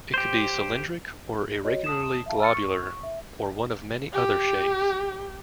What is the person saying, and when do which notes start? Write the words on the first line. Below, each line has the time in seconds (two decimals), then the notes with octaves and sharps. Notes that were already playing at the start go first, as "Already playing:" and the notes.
It could be cylindric or irregularly globular or one of many other shapes.
0.14 G4 C5
1.64 F#4 C#5 D#5
1.84 A5 D#6 E7
2.26 E5 F5 A5
2.40 E6 F6 A6 C#7
2.54 C#6
3.03 E5
4.13 G4